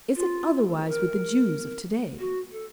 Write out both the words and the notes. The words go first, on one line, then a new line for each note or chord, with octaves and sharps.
Is it otherwise with the Jews of to-day?
F4
A#4
F#4
A4